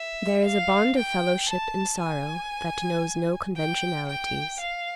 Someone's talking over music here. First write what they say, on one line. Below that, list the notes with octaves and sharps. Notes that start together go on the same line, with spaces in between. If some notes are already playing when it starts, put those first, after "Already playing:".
There is a bond of fellowship in sorrow that knows no conventionalities.
Already playing: E5
F5
G5
A5
G#5
G5
G5
F5